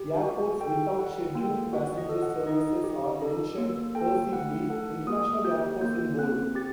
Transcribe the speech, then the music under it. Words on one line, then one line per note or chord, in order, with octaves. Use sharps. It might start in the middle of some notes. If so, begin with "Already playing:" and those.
Airports without scheduled passenger services are mentioned "cursively"; international airports in bold.
Already playing: G4
F#4
A4 G5
A4 F#5
A#3 G5
F#4 F#5
D#5
A4
F#5
D#4 D#5
G4
A4
A#3
A4 G5
A3 F#5
A4 F#5
A#3 D#6
G4 G6
A#3 G6
C4 F#6
G4 A6